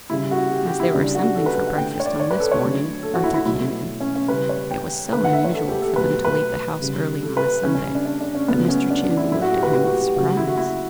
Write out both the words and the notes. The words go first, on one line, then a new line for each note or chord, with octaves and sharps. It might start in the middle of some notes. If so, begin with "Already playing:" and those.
As they were assembling for breakfast on this morning, Arthur came in. It was so unusual for them to leave the house early on a Sunday, that Mr. Channing looked at him with surprise.
C#3 G3 E4
F#4
G4
G4
E4
C#3 G3 D4
F#4
A4
B4
F#5
D3 A3 G5
C#5
D5
C#5
B4
A4
C#5
D3 F#3 A3
A4
F#4
E4
E4
B2 F#3 A3 E4
C#4
C#4
C#3 G3 B4
C#5
G5
D3 A3 B4
F#5
E5
C#5
A4
G4
A4
B2 F#3 A3 B4
B4
C#3 G3
A4
B4
C#3 G3 C#4
C#4
D4
D4
D4
C#4
C#3 F#3 A3 B3
C#4
D4
D4
E4
A2 F#3 A3 E4
F#4
G4
B4
B4
F#4
G4
G4
C#3 F#3 A3 F#4
E4
F#4
E4